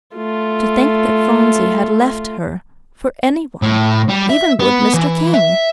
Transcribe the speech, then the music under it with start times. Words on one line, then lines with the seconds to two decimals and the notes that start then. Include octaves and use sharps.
To think that Phronsie had left her for any one!--even good Mr. King!
0.16 A3 F4
3.62 A2
4.09 G3
4.29 E5
4.59 B3
4.94 E3
5.34 E5